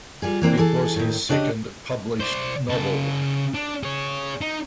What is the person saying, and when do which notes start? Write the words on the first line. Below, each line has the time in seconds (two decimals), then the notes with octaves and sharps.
It was his second published novel.
0.22 G3 F4 G#4
0.42 E3 A#3 C4 D4
0.57 E3 G#4 A4
0.96 A2 D#3
1.29 C#3 D4 G4 D5 D#5
2.20 C5 D5
2.69 C#3 A5
3.54 D4
3.83 G#4 C#5
4.41 D#4